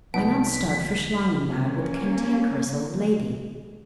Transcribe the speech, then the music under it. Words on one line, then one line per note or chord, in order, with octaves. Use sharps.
Why not start for Schlangenbad with the Cantankerous Old Lady?
C2 B3 D#4 A5 B6
A#3 C#4